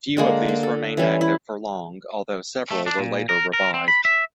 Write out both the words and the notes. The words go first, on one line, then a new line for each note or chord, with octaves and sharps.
Few of these remained active for long, although several were later revived.
D3 G#3 A#3
A#3
A4
E3 G3 C#4 E4
E4
A3
D4
A#2
A#4
A#4
C4
B5
E5